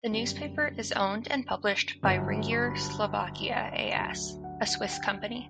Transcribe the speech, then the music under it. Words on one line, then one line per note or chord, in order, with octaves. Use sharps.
The newspaper is owned and published by Ringier Slovakia a.s., a Swiss company.
F#2 D3 G3 B3 D4 G5
G1 G2 F#3
C#6
B5
A5
G5
D5
C#5
D2 D3 F#3 E5
F#5
F#5
F#5
G5